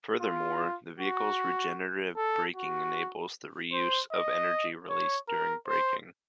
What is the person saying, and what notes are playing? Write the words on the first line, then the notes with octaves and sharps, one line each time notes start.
Furthermore, the vehicle's regenerative braking enables the reuse of energy released during braking.
F4
F#4
A4
F#4
C5
D#5
C#5
A#4
C5